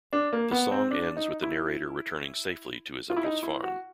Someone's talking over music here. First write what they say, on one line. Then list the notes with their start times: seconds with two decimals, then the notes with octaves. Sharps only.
The song ends with the narrator returning safely to his uncle's farm.
0.13 D4
0.33 A#3
0.51 B3
0.71 C4
0.91 D4
1.17 D#4
1.43 E4
3.10 F4
3.17 E4
3.24 D#4
3.43 E4
3.63 F#4